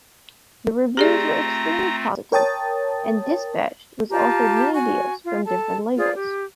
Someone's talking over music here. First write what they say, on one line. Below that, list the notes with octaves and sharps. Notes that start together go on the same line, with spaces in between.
The reviews were extremely positive and Dispatched was offered many deals from different labels.
A3 C4 F4 G4 G#4 D5 A#5
A#4 C#5 G5 A5 D#6 A6
F4 G4 A5 A#5
F#4 G#5
F4
A4 A5
F4 G#4 C5 D5
G4